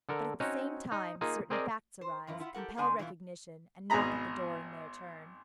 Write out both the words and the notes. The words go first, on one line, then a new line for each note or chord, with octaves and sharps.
But, at the same time certain facts arise, compel recognition, and knock at the door in their turn.
D3 A4 A#4
C4 C#4 D#4 F#4 C#5 D#5
D#4
A#3 D#4 F4 G#4
C4 G#4 A#4 D5 D#5
C5
F#2 E3 E4 F4
E4 F4 E5 F#5
G4 A4 A#4 F#5
D3 G#3 C4 D4 G#5 A5
B2 E3 F#3 E4 F4
G#1 B2 G#4 A#5 B5